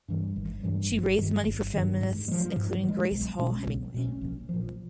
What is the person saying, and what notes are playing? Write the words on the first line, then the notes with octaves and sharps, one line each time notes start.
She raised money for feminists including Grace Hall Hemingway.
G2 E3 G3
G#1
G2 E3 G3
G1
G2 D#3
G1
G2 D#3
G#2
G#3
F3
G#2
F3
G#3
B1
B2 G#3 C#4
B1
B2 G#3 C#4
A#1
A#2 F3